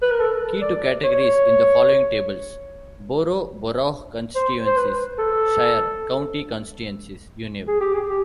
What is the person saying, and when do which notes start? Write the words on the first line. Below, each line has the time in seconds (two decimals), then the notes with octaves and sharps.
"Key to categories in the following tables:" Boro': Borough constituencies, Shire: County constituencies, Univ.
0.02 B4
0.11 A#4
0.20 A4
0.62 D5
1.04 C#5
4.35 C5
4.67 C5
4.77 B4
5.18 A4
7.68 G#4
7.81 G4
7.94 G#4
8.09 G4